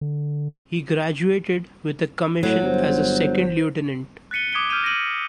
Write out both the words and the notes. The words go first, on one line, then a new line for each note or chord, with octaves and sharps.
He graduated with a commission as a second lieutenant.
D3
A2 F#3
G1 C5
F#6 A6 B6 C#7 D#7 G7
D6 D#6 G#6 B6 D7 G7
E6 F6 G6 D7 D#7 F7
A#6 D7 D#7 F#7